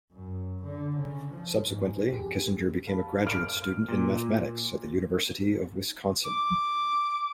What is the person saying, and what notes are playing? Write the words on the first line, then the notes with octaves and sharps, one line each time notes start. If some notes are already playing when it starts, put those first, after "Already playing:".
Subsequently, Kissinger became a graduate student in mathematics at the University of Wisconsin.
F#2
D3
C#3
F3
G#2
F2 G4 G#4
F5 A5 B5
F6 D7
A#2
D6